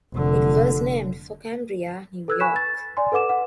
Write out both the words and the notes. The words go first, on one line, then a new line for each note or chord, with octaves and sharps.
It was named for Cambria, New York.
F1 D3
A4 B4 E6 F#6 G#6
G#5 B5 C#6 F#6 B6 E7
A6
D5 G#5 C6
A4 B4 F#5 D6 E7
F#5